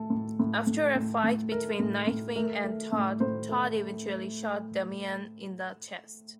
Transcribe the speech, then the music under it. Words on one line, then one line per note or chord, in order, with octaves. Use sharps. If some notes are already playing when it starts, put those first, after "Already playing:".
After a fight between Nightwing and Todd, Todd eventually shot Damian in the chest.
Already playing: A2 A3 A4
A2
A2
A2
A2
A2
A3 A#4
A2
A2
A3 A#4
A3
A2
A2 C5
A3